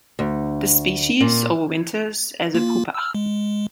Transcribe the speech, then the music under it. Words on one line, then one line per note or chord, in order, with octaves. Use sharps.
This species overwinters as a pupa.
D2
A#2
A#3 F4
E6 F6
G#3